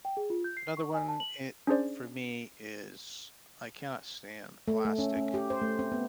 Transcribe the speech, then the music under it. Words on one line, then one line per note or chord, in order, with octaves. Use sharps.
another one i for me is, I cannot stand plastic.
G5
G#4
F4
G6
C7
C#6
G#5
A5
F#7
C#4 D4 G#4 C5 D5
A3
A3
C#4
C#4
G4
C5
A3
C4
B3